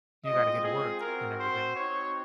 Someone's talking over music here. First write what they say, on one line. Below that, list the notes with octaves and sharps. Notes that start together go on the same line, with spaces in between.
you gotta get to work," and everything.
G#3 C4 F4 D#5
G#4
C4 F#4 A#4
C5
C4 D#4 F#4 C#5